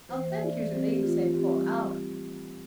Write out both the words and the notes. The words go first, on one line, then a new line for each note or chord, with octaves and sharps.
"I'll thank you to leave Saint Paul out."
E3 C5
A#3 C5
E5
E3 D5
E3 D5
C4 C5
A3 G4
E3 F4
E3 F4
C4 G4
G3